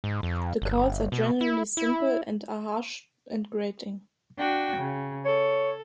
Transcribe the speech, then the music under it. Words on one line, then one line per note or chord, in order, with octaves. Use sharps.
The calls are generally simple and are harsh and grating.
G#2
F2
G1
B2
E4
E4
D4 F#4 G5
C#3
A4 C#5